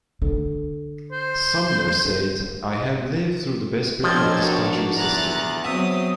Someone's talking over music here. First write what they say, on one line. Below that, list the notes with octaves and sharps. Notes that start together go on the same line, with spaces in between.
Sumner said, I have lived through the best period of this country's history.
D3
C5
B1 F3 C4 D4 D#5 G#6
F#4 A#4
E2 A#5 F#6 A6
F#3 B3 C4 E5 D#6